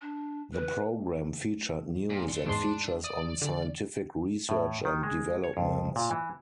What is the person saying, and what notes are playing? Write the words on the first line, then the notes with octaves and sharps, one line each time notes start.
The program featured news and features on scientific research and developments.
D4
B4
A#2
D5 C6
E2 G#2 D4 C6
D5 D#6
D3
A2
D#3
G#3
C#5
F2
A#2
E3